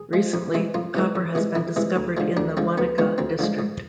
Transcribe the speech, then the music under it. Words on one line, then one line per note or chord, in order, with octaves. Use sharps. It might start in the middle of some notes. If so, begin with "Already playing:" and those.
Recently, copper has been discovered in the Wanica district.
Already playing: G#4
F3 G#3
F2
C3 E3 G#3
F2 F4
C3 E3 G#3
F2
C3 E3 G#3
F2 E4
C3 E3 G#3
D2
D3 F3 G#3
D2 D4
D3 F3 G#3 C4
D2 B3
D3 F3 G#3 B3
D2 C4
D3 F3 G#3
G#2